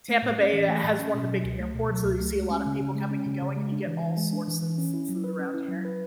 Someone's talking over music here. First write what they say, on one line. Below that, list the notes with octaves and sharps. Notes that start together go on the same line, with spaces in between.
Tampa Bay has one of the big airports. So you see a lot of people coming and going and you get all sorts of food around here.
A3
A2
C#4
E3
A3
A2
C#4
B2
F#3
C#2
A3
B2
F#3
C#2
A3
G#3
C#4
C#3
C#3
G#3
C#4
C#3
C#3
G#3
D4
E3
E3
G#3
D4
E3
E3
C#4
E4
F#3
B4
C#4
E4
F#3
B4